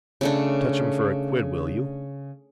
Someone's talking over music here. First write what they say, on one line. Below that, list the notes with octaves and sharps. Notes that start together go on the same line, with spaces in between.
Touch him for a quid, will you?
C#3 A3 D4